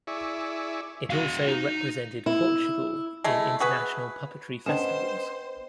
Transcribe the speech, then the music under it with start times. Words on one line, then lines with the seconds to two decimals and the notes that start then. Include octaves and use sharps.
It also represented Portugal in international puppetry festivals.
0.07 E4 G#4 D5 E5 C#6
1.10 F#4 F5
1.48 D#4
2.26 E4
3.24 G#3 A3 E4
3.60 F#4 G#4 B4
4.66 B3 C#4 D4 C5 D#5 G5 E7